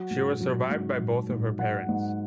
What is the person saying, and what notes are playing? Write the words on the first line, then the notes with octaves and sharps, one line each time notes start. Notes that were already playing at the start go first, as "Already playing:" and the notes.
She was survived by both of her parents.
Already playing: F#3 F#5
G#2
F#3
G#2
F#3
G#2
F#3 F#5
G#2